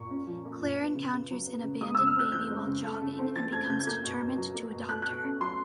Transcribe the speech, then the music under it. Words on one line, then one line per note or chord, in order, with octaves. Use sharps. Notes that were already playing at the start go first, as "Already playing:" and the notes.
Claire encounters an abandoned baby while jogging and becomes determined to adopt her.
Already playing: A#2 A#3 C#6
C#4
F3
A#3
A#2
B3
C#3
C#3
F#3
B3
C#3
G#3 D#6
C#3 E6
F6
C4 F#6
E3 G6
G#3
C#3
A3
C#3
C4
E3 A6
A3 G#6
C#3 G6
G#6
A#3 G6
B2
B2
F#3
A#3
B2
A3 F#6
B2 F#6
C#4
F#3 C6